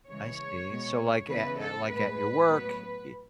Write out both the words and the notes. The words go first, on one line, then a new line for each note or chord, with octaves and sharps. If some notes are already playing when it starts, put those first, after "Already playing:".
I see, so, like, a at like, at your work, i
C#3 E3 G#3 C#5
B2 G#3 B3
C#3 E3 B3 B4
A4
A2 G#3 B3 B4
A2 F#3 B3